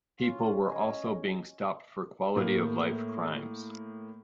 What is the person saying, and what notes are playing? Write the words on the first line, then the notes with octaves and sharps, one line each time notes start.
People were also being stopped for quality of life crimes.
C#4 F4
D#5 G#5
A2 A3 A#3